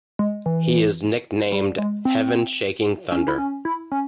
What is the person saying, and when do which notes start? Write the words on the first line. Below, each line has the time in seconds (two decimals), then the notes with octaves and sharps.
He is nicknamed "Heaven Shaking Thunder".
0.19 G#3
0.46 E3
1.52 G3
1.78 G#3
2.05 C4
3.12 C#4
3.28 E4
3.38 C#4
3.65 E4
3.92 C#4